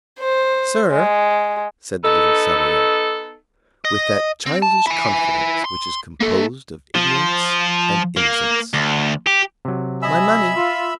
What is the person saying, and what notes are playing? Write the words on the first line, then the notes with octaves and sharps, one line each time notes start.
"Sir," said the little Savoyard, with that childish confidence which is composed of ignorance and innocence, "my money."
C5
G#3
B3 D#4 A4
D#5
C4
A5
E4 G#5
C6
A#3 A4
F3
A#3
D2
G4
C3 F#3
D#5 E5 G#5 B5 E6
F4